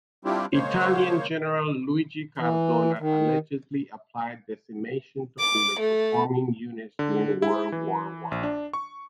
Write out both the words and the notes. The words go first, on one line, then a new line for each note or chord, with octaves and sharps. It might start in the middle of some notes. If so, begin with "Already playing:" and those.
Italian General Luigi Cadorna allegedly applied decimation to underperforming units during World War One.
G3 C4 D4 E4 F4 G4
C#3 G#3 A#3 C5 C#5
E3
D#3
D6
A3
D3
E4
E3
A#1
D4
C#6